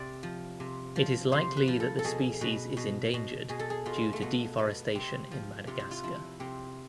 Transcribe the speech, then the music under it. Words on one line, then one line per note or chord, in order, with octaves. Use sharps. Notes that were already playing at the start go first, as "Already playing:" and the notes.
It is likely that the species is endangered due to deforestation in Madagascar.
Already playing: C3 D5
F3
C3
F3
C3 C5
B4
F3
A4
A4
B2 G#4
B2 B4
B2
B2
B2 G#4
A4
G#4
B2 F4
A3
B2 B3
B2 B3
C3 C4
F3
C3 F4
E4
F4
F3 E4
C3 C4